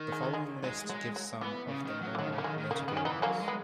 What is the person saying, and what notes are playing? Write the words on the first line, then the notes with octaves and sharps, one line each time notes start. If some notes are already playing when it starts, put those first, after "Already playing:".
The following list gives some of the more notable ones.
Already playing: D#3
G#3
F#3
G#3
F#3 G#3
F#3 G#3
F#3
E3 B3
C#3
D#3
F#3
E3
D#3 F#3
C#3
A#3
D#3 G#3
D#3
C#3 A#3
D#3 B3
C#4
E3 B3 D#4
F#3 A#3 C#4
G#3
B3